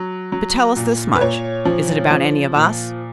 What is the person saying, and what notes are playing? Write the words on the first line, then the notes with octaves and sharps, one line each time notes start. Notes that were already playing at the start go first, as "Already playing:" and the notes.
"But tell us this much--is it about any of us?"
Already playing: F#3
F#3
A#2
B4
A#2 C#5
F3
F3
A#2